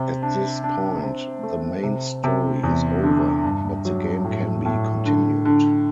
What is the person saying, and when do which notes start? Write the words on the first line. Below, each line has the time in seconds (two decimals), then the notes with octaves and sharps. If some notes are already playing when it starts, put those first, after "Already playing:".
At this point, the main story is over, but the game can be continued.
Already playing: C3
0.22 D4
0.63 D4
1.03 C4
1.43 A3
1.83 C3
2.24 C3
2.63 E2
3.04 D3
3.44 G2
3.85 F#3
4.25 A2
4.65 A2
5.06 D3
5.45 D3